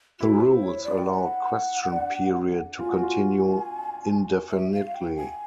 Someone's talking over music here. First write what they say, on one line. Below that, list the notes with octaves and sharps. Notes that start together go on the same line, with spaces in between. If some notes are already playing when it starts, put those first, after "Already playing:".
The rules allowed question period to continue indefinitely.
E4 F#4
C5
C#5
D5
G5
F#5
D4
F4 G#5
F#4
F4
E5
F5
G5
G#5